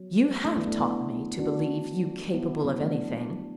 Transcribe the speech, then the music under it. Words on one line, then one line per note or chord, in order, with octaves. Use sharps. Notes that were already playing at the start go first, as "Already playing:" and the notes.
"You have taught me to believe you capable of anything."
Already playing: F#3 B3
A3 D4
B3 E4
A3 D4
B3 E4
D4 F#4
B3 E4
F#3 B3
A3 D4